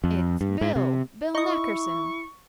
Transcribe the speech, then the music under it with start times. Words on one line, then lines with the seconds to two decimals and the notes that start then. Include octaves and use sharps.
"It's Bill--Bill Nackerson!"
0.04 F2
0.41 G2
0.61 G#2
0.76 C3
1.35 D#4 E4 D#5 C#6